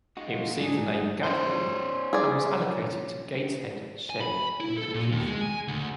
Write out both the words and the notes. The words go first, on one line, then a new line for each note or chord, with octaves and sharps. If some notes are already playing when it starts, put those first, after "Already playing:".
It received the name "Gadwall", and was allocated to Gateshead shed on completion.
G#3 D#4 F4 F#4
G#2 F#3 D4 G#4
C#4 C5
G#4 D5
G#5
B5
E4
A4
A#2
D#2
G#3
G#5
D2